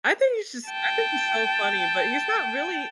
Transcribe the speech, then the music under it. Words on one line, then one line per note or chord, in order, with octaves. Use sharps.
I think he's just I think he's so funny but he's not really
G5 A5